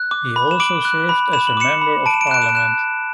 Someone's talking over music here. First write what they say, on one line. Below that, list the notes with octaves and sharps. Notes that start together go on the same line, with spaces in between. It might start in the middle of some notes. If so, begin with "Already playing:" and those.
He also served as a Member of Parliament.
Already playing: F#6
D6
B5
E7
D6 D7 F#7
F#6
B5
B5 E7
F#7
D6 C#7 E7
B5
A5 D7
E7
D7
E7
F#6 D7
E7
D7
F#6 E7